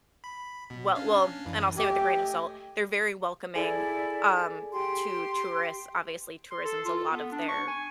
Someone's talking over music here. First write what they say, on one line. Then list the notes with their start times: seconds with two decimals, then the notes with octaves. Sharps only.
well well and I'll say with a grain of salt, they're very welcoming, um, to tourists, obviously, tourism's a lot of their,
0.24 B5
0.70 B2
0.95 C#4 D4 F5
1.46 F#2 E3
1.77 A3 G4 D#5 G#5
3.55 E4 G#4 A4 D5 G#5
4.72 G4 C6
6.51 C6
6.65 A4
6.85 F4
6.97 A4
7.11 B3
7.32 D4
7.48 C#6
7.68 G#5